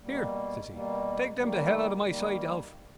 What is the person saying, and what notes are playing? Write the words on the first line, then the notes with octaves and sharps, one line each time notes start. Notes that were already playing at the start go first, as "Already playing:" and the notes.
Here, says he, take them to hell out of my sight, Alf.
B2 G3 A#3
B2 G3 A#3
D#3 G3 A#3
D#3 G3 A#3